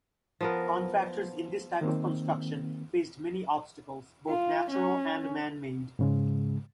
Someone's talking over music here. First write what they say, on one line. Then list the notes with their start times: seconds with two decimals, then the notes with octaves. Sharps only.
Contractors in this type of construction faced many obstacles, both natural and man-made.
0.41 F3 B3 A#4
1.81 D#3 A#3 C4
4.27 F4
4.70 C#4
5.99 G#2 C#3 G#3